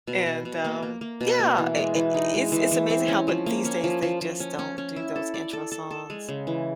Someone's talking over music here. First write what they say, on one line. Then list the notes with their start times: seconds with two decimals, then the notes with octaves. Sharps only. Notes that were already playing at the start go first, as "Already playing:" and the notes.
and, um, yeah, i i it's it's amazing how but these days, they just don't do those intro songs
0.07 B2
0.26 B2
0.45 B2
0.65 A#3
0.83 A#3
1.01 A#3
1.21 B2
1.39 A#3
1.58 E3
1.77 G#3
1.95 E3
2.14 D#4
2.34 G#3
2.52 E3
2.71 E3
2.90 C4
3.08 C#4
3.28 F3
3.46 A#3
3.65 C#4
3.84 F3
4.02 F3
4.21 F3
4.40 C#4
4.59 C#4
4.78 C#4
4.96 E4
5.16 A4
5.34 D5
5.53 A4
5.72 A4
5.91 A4
6.10 G#3
6.29 C#3
6.47 E3